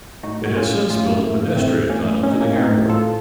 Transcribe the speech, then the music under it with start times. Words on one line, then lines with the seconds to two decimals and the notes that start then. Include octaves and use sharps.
It has since built a pedestrian tunnel to the airport.
0.23 A2 D#4 F#4
0.45 A2 F#4
0.56 C#4 F4
0.67 A2
0.90 A2 C#4 F4
1.06 A#3
1.12 A2
1.23 A3
1.35 A2
1.40 A#3
1.56 A2 A3 C4
1.79 A2
1.89 A#3 C#4
2.00 A2
2.22 A2 C#4
2.31 D#4
2.41 A2 A#3 C#4
2.56 C4 D#4
2.67 A2
2.89 A2 F4 A4